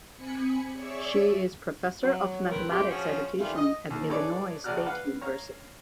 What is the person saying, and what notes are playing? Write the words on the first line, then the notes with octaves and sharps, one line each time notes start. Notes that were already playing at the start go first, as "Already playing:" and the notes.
She is professor of mathematics education at Illinois State University.
C4 G#5 B5 C#7
G#4 C#5 D5 E5 C#6 E6
F#3
D#3 F3 C4 A#4 B4
A3 C4 D4 E4 G4
F3 C#4 F4 F#4 G#4 C#5
D#3 E3 G3 A3 F4
D#5
D#2
E4 G#4 A4 B4 C#5 D5
A#1 C#3 D5 A#5 F6 F#6
B4 F5 F#5
C#5 F5 A#5